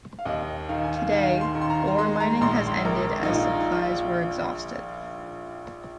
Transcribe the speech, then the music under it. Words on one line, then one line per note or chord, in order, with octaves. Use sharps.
Today, ore mining has ended as supplies were exhausted.
F5
D#2 D#5
D#3 F5
G#5
F5
D#3 F5
C6
D#3
C6
A#5
A#5
G#3 C6
A#5
A#1 C6
A#1 A#4
D#4
A#1 F4
F4